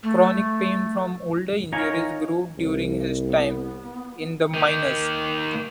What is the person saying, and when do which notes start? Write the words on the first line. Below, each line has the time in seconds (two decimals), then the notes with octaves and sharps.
Chronic pain from older injuries grew during his time in the minors.
0.03 A3
1.73 D#4 F4 A#4 C#5 G#5
2.58 C2
3.28 B3
4.54 D#3 A#3